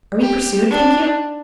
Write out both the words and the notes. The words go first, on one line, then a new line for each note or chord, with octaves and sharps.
Are we pursued, think you?
G4
D4